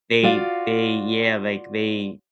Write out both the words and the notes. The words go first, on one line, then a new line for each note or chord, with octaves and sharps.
they they yeah, like, they
F4 F#4 D5 F5